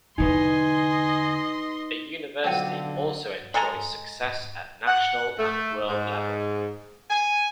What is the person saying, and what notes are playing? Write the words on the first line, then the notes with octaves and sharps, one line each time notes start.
The University also enjoys success at National and World level.
E2 D3 D#4 B4 D#5 G#5 C6
B1 F2 D3 C4 F#5 G5 A5 D#7
G#3 A4 G#5 A#5
F#5
A3
G#2
G#5